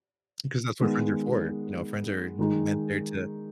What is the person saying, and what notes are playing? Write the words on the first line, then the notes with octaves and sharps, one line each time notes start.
'Cause that's what friends are for. You know, friends are m meant there to
D#3 G#3 B3
D#3 G#3 D#4